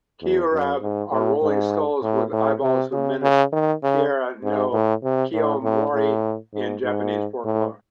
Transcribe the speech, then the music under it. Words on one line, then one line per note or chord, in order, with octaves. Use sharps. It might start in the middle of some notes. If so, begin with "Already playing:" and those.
"Mekurabe" are rolling skulls with eyeballs who menace Taira no Kiyomori in Japanese folklore.
E2
F#2
G#2
A2
G#2
A2
A2
C3
C#3
C#3
D#3
C#3
G#2
A2
C3
A2
A2
A2
G#2
G#2
A2